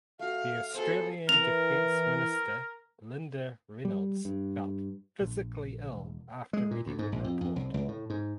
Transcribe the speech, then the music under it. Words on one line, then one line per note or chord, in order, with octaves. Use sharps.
The Australian Defence Minister Linda Reynolds felt "physically ill" after reading the report.
A3 F#4 F5
B3 F#4 G#4 A4 C5
E3 A#4 F7
G3
G2
A#1
E1
G#3
A#2
D2
G#2
A#1
F2
F2
C2
C#2
A2
G#2